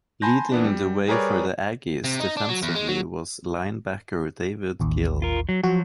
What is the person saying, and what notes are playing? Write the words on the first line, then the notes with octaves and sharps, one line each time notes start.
Leading the way for the Aggies defensively was linebacker David Gill.
G#5 A5 B5 C6 G6 A#6
E3 B3 D4
G3
G3 G#4 A#4 B4 C#5 D5
C3
D#4
D4
F#3
E2
G#3
F#3
A1 D#2
F4 A#4
F#3
F3 F#3 F#4